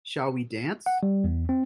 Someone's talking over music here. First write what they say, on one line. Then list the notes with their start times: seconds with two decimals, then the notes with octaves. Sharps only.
Shall We Dance?
0.86 F#5
1.03 G3
1.24 E2
1.49 C4